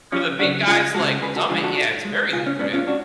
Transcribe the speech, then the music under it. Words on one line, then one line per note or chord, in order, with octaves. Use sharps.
For the big guys, like Summit, yeah, it's very lucrative.
F2 C#4 F4
C#3 F#3 D4 F#4
C#2 F4 G#4
C#3 F3 G#3 F#4 A4
D2 G#4 B4
F#4 A4
D3 F3 G#3 F4 G#4
F#4 A4
G#2
G#3
C#2 F4 G#4
C#4
B2 G#3 B3 D4
C#4 F4
D4 F#4